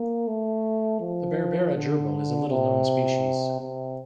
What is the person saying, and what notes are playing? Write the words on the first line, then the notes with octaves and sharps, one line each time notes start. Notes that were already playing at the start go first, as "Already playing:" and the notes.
The Berbera gerbil is a little known species.
Already playing: A#3
A3
F3
D3
C3
C3